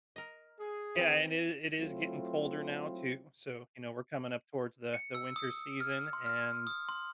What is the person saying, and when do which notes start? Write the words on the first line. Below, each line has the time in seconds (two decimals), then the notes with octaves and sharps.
Yeah, and it is it is getting colder now too, so, you know, we're coming up towards the the winter season and,
0.16 A#4 D#5
0.59 G#4
0.95 E3 C4
1.78 F#3 A3 C4 E4 F4
4.94 C#7
5.15 E6
5.36 D#6
5.81 F6
6.13 C6
6.26 F6
6.67 D#6
6.89 C6